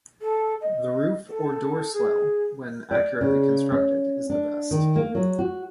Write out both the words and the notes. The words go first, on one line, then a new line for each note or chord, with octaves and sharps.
The roof or door swell, when accurately constructed, is the best.
A4
D#5
A4
G#4
D5
C#3
C#4
D4
D#3
A#3
F#3
F#4